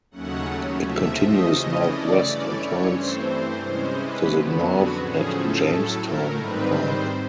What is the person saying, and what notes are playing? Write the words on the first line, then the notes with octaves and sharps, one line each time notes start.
It continues northwest and turns to the north at Jamestown Park.
D#2 C#3 F#3 A3 C#4 F#5
C3 F3 A3 E5
D#5
C#3 E3 A3 C#4
D5
G2 E3 A3 C#4
C#5
G2 E3 A3 C4 C5
C3 E3 G#3 C#4
B4
F2 D3 F#3 B3
F#4
A2 F3 A3 C#4 G#4
A4
A2 F#3 A3
A#4
G#2 D#3 G3 C4 B4
C5